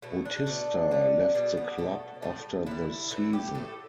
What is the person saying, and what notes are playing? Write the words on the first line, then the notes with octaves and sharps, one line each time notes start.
Bautista left the club after the season.
B2 A3 E4
D4
B2 A3
D3 A3
B2 G3 D4
B3
B2 A3 A4
A2 G3
D3 G3 E4
A2 E3 A3 E4
G4
A2 A3 A4